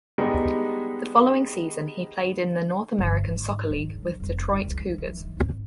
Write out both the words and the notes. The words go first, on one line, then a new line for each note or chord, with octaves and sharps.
The following season he played in the North American Soccer League with Detroit Cougars.
G3 G#3 B3 D4 D#4
G1
G#2
D#3
C#3
G3
F1
E4
C#2
G#3
E3
D#3
G#1